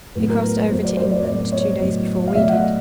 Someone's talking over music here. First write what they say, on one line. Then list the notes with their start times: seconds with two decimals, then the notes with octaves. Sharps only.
He crossed over to England two days before we did.
0.15 A2 F#3 B3 B4
0.30 A#4
0.43 B4
0.57 B4
0.70 A2 F#3 B3 A#4 C5
0.83 C5 D5
0.97 A#4 C5
1.11 C5 D5
1.25 A2 F#3 B3 C5 D5
1.52 C#5 D#5
1.79 A2 F#3 B3
2.28 F5
2.35 B2 F#3 A3 D5 E5
2.49 F#5
2.53 D#5 F5